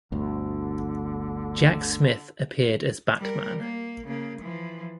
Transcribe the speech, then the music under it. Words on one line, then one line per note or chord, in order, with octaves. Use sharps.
Jack Smith appeared as Batman.
G1 D2 D3
G3 A#4
A#3
C#3 A#3
E3 F3